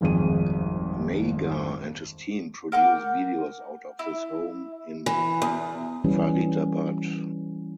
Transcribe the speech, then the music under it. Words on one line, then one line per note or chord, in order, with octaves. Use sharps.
Nagar and his team produce videos out of his home in Faridabad.
D#1 G#1 F2 G#4 D#7
A#4 F#5 G5 D6
E4
E3
E2
E3 G3 C#4